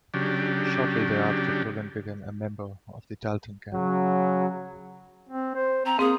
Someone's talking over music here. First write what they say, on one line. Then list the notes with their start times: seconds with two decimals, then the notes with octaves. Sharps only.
Shortly thereafter, Doolin became a member of the Dalton Gang.
0.14 C#3 F#3 D4 G4
3.74 C#3 F#3
5.29 C4
5.55 C5
5.85 C4 A#5
5.99 A#3 C4 G#4